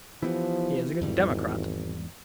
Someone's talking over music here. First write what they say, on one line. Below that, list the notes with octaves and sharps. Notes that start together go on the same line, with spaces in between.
He is a good Democrat.
E3 F3 B3 E4 G4
G#1 E2 G#2 G3